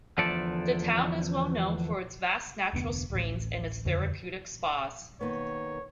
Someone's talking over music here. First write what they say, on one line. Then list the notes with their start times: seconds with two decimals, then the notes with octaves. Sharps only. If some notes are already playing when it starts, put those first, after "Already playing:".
The town is well known for its vast natural springs and its therapeutic spas.
0.18 E2 D3 F3 A3 A4 D5
2.73 F1 D2 B3
3.10 D1 A1
3.85 D#1 F2 D3
5.21 D#3 A#3 B3 C#5